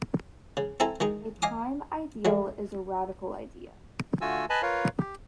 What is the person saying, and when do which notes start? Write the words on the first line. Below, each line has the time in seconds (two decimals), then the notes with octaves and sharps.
A prime ideal is a radical ideal.
0.57 C#3
0.80 C4 E4 A4 G#5 A#5
1.00 D#3 G#3 D#4
1.42 D#5 F5 G#5 D6 D#6
2.25 F#3 G#3 A3
4.21 D3 A3 F4 F#4 G#5 E6
4.50 B4 D#5 G#5 A5 B5
4.62 F4 A#4 B4 C#5 F5
4.99 G4